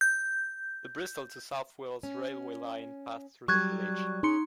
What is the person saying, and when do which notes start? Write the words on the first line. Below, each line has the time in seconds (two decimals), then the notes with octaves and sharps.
The Bristol to South Wales railway line passed through the village.
0.01 G6
2.03 C#4
3.48 F#3 G3 C#6 F#6 G#6
4.23 C#4 D#4 G#4 C6 C#7